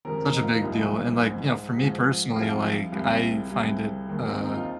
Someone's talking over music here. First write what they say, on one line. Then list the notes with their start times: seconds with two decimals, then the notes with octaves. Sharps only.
such a big deal, and, like, you know, for me personally, like, I find it, uh,
0.05 F2 C3 D#3 G#3 A#4
0.24 D#4
0.43 F4
0.62 C2 A#2 F3 G#3 D#4
1.19 G#2 G#3
1.77 G#2 F3 G#3
2.35 C2 C3 F3 G#3 F4
2.92 C2 C3 G#3
3.49 C2 C3 G#3
4.08 D#2 D#3 G#3
4.28 C4
4.41 D#4
4.53 F4